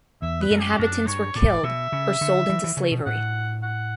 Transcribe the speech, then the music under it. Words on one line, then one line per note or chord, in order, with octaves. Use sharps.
The inhabitants were killed or sold into slavery.
E2 E5
B4
F#2
G4
F#2 D4
G2 C#5
A2 D5
B2 E5
C#3
D3
E3
E3
C#3
B2
A2 F#5
F#5